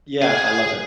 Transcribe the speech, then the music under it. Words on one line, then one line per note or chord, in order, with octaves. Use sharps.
yeah, I loved it.
G#4 G#5